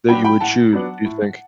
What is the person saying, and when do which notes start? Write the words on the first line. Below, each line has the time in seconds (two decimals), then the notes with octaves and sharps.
that you would choose, do you think?
0.09 F#3 B3 D4 G5 B5
0.24 G5 B5
0.40 A2 F#5 A5
0.73 F#3 B3 D4
1.05 A2